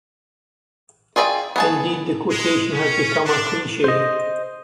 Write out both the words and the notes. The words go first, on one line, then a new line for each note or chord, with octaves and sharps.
Indeed, the quotation has become a cliche.
F4 G#4 D5 E5 G5
B3 G#4 A5
G#3
C#4
D4
C5 D#5